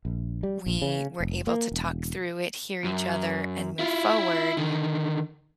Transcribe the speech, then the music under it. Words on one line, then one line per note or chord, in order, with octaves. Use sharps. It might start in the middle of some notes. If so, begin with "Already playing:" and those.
we were able to talk through it, hear each other, and move forward,
A#1
G3
A#1
C#3
F1
A#3
E1
F#2
E4 F4
D3 D#3